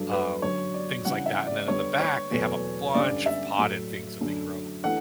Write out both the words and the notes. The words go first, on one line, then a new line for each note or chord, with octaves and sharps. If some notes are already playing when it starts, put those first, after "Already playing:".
um, things like that, and then in the back, they have a bunch of potted things that they grow,
Already playing: G2 F#3 A3 D4
B4
F#2 D3 F#3 C#5
D5
C#3 E3 G3 D4 F#5
E5
D5
D3 G3 B3 C#5
C#5
E2 B2 F#3 A3
G2 D3 G3 C#4 D5
E5
A2 F#3 A3
F#2 D3 A3 D4
E3 A3 D4 F#5